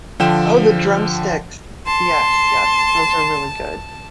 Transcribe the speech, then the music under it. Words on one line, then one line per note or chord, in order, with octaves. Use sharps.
Oh, the Drumsticks. Yes, yes. Those are really good.
D3 F3 G5 E7
A5 C6